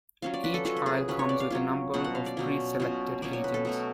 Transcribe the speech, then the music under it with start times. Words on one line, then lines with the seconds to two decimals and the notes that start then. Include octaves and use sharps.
Each isle comes with a number of pre-selected agents.
0.22 F#3 C#4 F4 F5
0.34 D5
0.44 B4
0.54 A4
0.65 F#3 C#4 F4 A4
0.77 B4
0.86 G#4
1.08 F#3 C#4 F4 B4
1.19 C#5
1.29 D5
1.40 F5
1.50 F#3 C#4 F4
1.94 B2 F#3 C#4 F4 F#5
2.04 F#5
2.15 F5
2.26 D5
2.37 B2 F#3 C#4 F4
2.80 B2 F#3 C#4 F4
3.22 B2 F#3 C#4 F4 D5
3.33 C#5
3.44 B4
3.54 A4
3.65 B2 F#3 A3